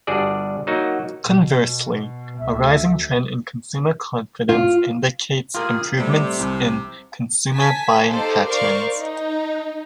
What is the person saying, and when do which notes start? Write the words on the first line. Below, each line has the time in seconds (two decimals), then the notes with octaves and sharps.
Conversely, a rising trend in consumer confidence indicates improvements in consumer buying patterns.
0.07 G1 G3 D4 F#4 G#4 D5
0.67 F#3 A#3 D#4 F#4
1.24 B2
2.39 D2 E5
4.49 F4
5.55 A#3 F4 G4 G#4 A#4
5.97 A2 C3 G3
6.40 C2
7.53 G#5 A5 B6
8.10 D#4 G4 A4 C5 D5 F5
8.46 A#4 C5 D5 F5 C#6
8.95 D#4